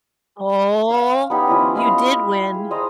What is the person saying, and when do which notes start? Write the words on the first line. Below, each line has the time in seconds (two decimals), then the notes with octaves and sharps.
Oh! You did win.
0.90 F5
1.30 B3 C#4 D#4 G4
1.48 F3 C#4 E4 D#5
1.75 E4 D#5 F5 C6
2.54 G#4
2.71 C5 D#5 A#5